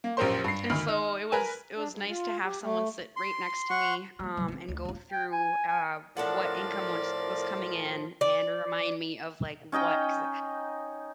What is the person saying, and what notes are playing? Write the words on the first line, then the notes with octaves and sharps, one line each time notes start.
and so, it was it was nice to have someone sit right next to me, um, and go through, uh, what income was was coming in and remind me of, like, what 'cause, uh
A#3
A#1 F#2 G4 A#4 C5 C6
G2 C7
D2 D#3 B5 F6
D#4
A#4 B4 G#5
D4
G2
F4
G4
A3
C6
F#5 C#6
G3 A#3
C#3 F#3
E3 C4
D2
D1 F4
G5
G#5
G#5
A2 F3 D4 A4 A#4 D5 F#5
D5
C#4 D#4 D#5 G5